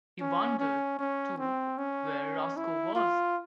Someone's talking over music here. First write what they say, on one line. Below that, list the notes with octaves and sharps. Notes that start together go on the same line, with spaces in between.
He wondered, too, where Roscoe was.
C#4
C#4
C#4
C4
C#4
E4
F4